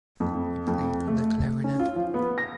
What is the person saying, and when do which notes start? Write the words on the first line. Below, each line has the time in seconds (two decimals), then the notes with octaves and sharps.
He played the clarinet.
0.20 F2
0.67 F2
1.08 A3
1.64 C#4
1.79 F4
1.96 F3
2.14 B3
2.38 A#6